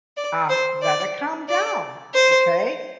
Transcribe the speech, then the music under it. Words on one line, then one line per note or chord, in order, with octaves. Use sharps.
Um. Let it calm down. M'kay?"
D5
C5
D5
D5
C5